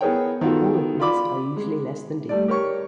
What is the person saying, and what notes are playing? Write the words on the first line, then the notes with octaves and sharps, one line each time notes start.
All of these are usually less than deep.
B3 E4 G#4 A#4 C#5 G5
D#3 B3 F4 F#4 A4
F4 D5 B5 D6
G#3
G3 A3 D5
G4 A#4 C#5 C#6